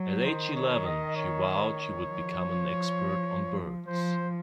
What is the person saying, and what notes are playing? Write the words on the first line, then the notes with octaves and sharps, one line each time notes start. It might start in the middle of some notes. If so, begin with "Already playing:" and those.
At age eleven, she vowed she would become an expert on birds.
Already playing: F#3
D#3 C5
C#5
D#5
C#5
F3
F3 C5